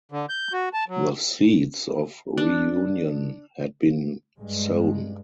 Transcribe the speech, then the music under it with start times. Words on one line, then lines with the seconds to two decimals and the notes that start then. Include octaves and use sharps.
The seeds of reunion had been sown.
0.12 D3
0.29 G6
0.53 F#4
0.73 A5
0.88 F#3
2.37 D4
4.39 G2 G#3